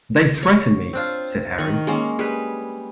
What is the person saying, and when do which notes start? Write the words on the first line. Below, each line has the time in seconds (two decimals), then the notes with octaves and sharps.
"They threaten me," said Harry.
0.43 C#5
0.93 C4 D4 F4
1.58 D#3 C#6
1.87 G#3 A#3 C#4
2.19 G3 G#4 B4